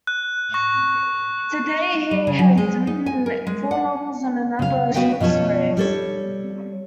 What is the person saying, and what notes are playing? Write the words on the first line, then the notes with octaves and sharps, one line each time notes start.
To date he has written four novels and a number of short stories.
F#6
C#6 A#6
G3
C#3
F#3
G#3
D#4
G#5
A#4
G#3
F#5
C#3 F5
B3 F#4 B4 F5 G5
B2 F3 C#4 C#5 A5
G3 A4 C#5